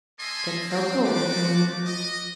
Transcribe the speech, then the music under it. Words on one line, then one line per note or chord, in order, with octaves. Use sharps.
Jack felt bold that morning.
A#3 A4 D#5 E5 G#5 C6
C4
A3 F#4 D6
D#5